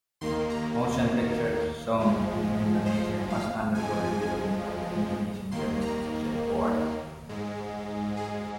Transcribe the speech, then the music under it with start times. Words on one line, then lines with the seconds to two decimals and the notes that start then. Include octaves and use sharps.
Motion pictures shown in Indonesia must undergo reviewing by the Indonesian Film Censorship Board.
0.21 D#2 D#3 A#3 C6
0.50 A#5
1.98 G#2 F3 G#3
2.86 C5
3.30 F5
3.75 F2 F3 G#3 G#5
5.51 D#2 D#3 A#3 C6
5.82 A#5
7.29 G#2 G#3
8.17 G#4